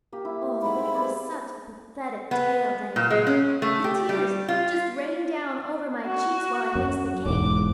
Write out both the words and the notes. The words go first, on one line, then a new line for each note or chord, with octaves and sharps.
Oh, it was such a pathetic tale, Diana. The tears just rained down over my cheeks while I mixed the cake.
A#3 G4
E4
F#3 G#3 D#4 B5
C4 G#5
C5 D5
B3
A#2
G#3
C#4
A3
G4
G3
F4
F#4
F#2
E1 G#2 D6